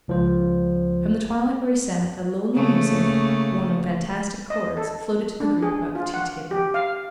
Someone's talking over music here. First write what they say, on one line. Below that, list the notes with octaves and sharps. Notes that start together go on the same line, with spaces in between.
From the twilight where he sat a lonely music, borne on fantastic chords, floated to the group about the tea-table.
C#2 F3 F4 C5
C#3 A3 A#3
D#5
A4
D4
G#4
F4
F#5
G4
F5